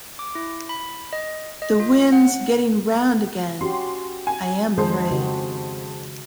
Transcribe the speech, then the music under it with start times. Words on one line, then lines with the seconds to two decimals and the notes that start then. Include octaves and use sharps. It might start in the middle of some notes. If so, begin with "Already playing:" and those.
The wind's getting round again, I am afraid.
0.19 D6
0.35 E4
0.69 B5
1.13 D#5
1.62 D#5
1.80 F4
2.12 F#5
3.61 C#4 F#4 G4 C6
4.27 G#5
4.77 F2 D#3 G#3 G#4 C5
5.11 C#3 F#4 G4